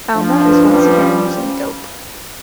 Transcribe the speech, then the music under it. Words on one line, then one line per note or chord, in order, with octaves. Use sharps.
Alma is once again using dope.
F3 D4
B4
F3 G3 C#4
C#4